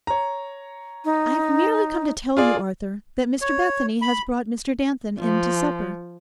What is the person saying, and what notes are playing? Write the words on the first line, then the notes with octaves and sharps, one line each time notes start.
'I have merely come to tell you, Arthur, that Mr Bethany has brought Mr Danton in to supper.
C#5 A#5
D#4
F4 G#4 D5
C#5
B5
F3